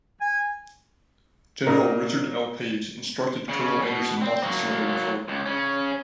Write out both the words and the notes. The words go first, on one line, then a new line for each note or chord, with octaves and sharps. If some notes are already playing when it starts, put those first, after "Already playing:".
General Richard L. Page instructed Colonel Anderson not to surrender the fort.
G#5
A#2 D#4 A#4 A#5
C#3
B2
C4
F#3 A#3
C#2
C#3 C#4